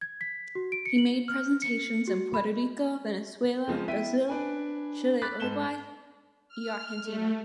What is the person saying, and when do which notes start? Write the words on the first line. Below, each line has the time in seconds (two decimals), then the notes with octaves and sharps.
He made presentations in Puerto Rico, Venezuela, Brasil, Chile Uruguay y Argentina.
0.01 G#6
0.21 B6
0.55 F#4
0.72 D7
0.86 C#7
0.98 F#7
1.28 F6
1.62 C#7
2.08 F#4
2.34 B5
3.68 C#3 F3 G#3
3.88 B3 E4 G5 B6 D#7
4.28 D4 B4 G#5
5.22 B5 D6 F#6 A6 B6
5.40 G#2 G#3 A4 E7 G7
6.49 F6
7.03 A3